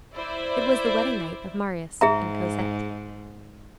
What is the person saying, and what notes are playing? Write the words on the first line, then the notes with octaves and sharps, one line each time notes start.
It was the wedding night of Marius and Cosette.
E4 C5 D5 E5
G#2 G#4 E5 A#5